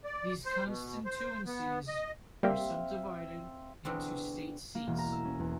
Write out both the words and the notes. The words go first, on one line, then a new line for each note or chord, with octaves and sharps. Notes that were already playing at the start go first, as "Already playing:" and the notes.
These constituencies are subdivided into state seats.
D5
C5
B2
C5
B3
D#5
G3 A#3 C4 G4 E5 F5
E2 B2 D3 C4
A#3
E1
A#5
E6
C#4
E2